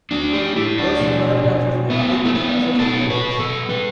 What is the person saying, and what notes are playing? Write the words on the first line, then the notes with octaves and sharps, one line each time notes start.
Those from other countries may only become associate members.
A3 D4
G4
A3 E4
D4
B2
B2
A3 B3
A3
A3 B3
B2 A4
B4
B2
A4
G3 B4